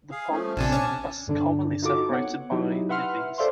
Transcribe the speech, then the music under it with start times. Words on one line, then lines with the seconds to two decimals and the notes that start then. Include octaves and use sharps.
The ponds are commonly separated by levees.
0.11 G#4 F5
0.31 F3 A3 C#4
0.57 A#1 C3 D4 G#5 A5
0.72 C#4
1.27 G2 D3 D4
1.82 D#4 F4 F#4 A4 D6
2.09 B3 C#5 F#5
2.52 F#3 D#4 E4 G4
2.89 B4 E5 F#5 C6 F6
3.38 A4 C5 D5 E5 F5 C6